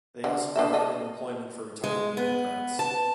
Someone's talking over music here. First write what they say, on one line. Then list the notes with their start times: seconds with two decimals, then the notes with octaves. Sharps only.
They also provided employment for retired bureaucrats.
0.24 D3
0.56 D4 A4 E5
0.73 A4 D#5
1.84 G#3
2.17 B3
2.79 A5